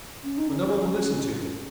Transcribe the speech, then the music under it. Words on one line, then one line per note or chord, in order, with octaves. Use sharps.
But no one will listen to me.
C#4
D#4
C#4